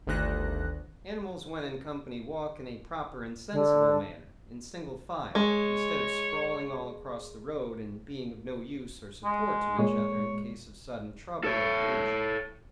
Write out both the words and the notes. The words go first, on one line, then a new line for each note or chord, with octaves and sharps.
Animals when in company walk in a proper and sensible manner, in single file, instead of sprawling all across the road and being of no use or support to each other in case of sudden trouble or danger.
G1 D2 D#3 F#6 A#6
D3
G#3 C#5
G#3
A#2 G#3 C#5
A4 C#5